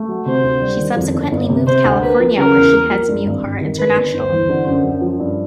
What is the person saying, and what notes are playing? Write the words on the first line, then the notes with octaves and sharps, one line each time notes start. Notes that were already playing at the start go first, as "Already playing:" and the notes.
She subsequently moved California where she heads Miyohara International.
Already playing: A3
F#3
C3 C5
D2
G3
D#3
F2
G1
G1
C3
C3 C5
D2
A#3 B4
F3
C#3 A#4
E2
A#3
F3
G2
G#1
G#1
D#3
G2 B4
G1
G1 C5
E3
D3
F#2
F#2
F3
G2